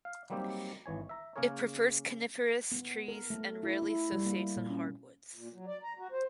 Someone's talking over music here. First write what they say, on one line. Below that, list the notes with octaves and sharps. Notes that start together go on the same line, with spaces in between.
It prefers coniferous trees and rarely associates on hardwoods.
F5
F#3 G3 A#3 C4 D#4 G4
G#1 E3 C#5 G#5
E5 A#5
C#3 A#3 C#4 G#4 A#4 C#5
B3
A#4
A3
E4
E4
G3
A#3
A#2
C#4
A#2
F#3
D5
A#5
F#4
C5